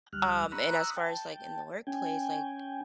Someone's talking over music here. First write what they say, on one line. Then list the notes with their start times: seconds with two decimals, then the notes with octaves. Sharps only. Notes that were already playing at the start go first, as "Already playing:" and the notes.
um, and as far as, like, in the workplace, like,
0.13 D2 G3 F6 F#6
0.52 A#5 B5 C#6 D#6 E6 F#6
0.96 G5 A5
1.87 C#4 G5 G#5